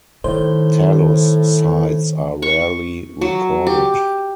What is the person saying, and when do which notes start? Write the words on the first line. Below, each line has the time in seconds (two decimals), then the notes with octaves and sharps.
Talus sites are rarely recorded.
0.24 A2 D#3 C5
2.42 C#6
3.21 F#3
3.67 G4